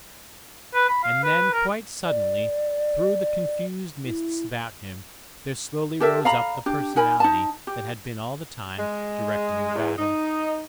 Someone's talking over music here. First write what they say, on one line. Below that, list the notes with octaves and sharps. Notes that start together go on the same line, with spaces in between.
And then quite suddenly, through the confused mists about him, there slowly rose up the Personality that had been all the time directing the battle.
B4
B5
F5
B4
A#4
D5
E4
G4 A4 A#4 E5
D5 F5 A#5 B5
D4 G4
D#4 A#4 G#5 B5
D#4 A5
G4
G#3
E2
D#4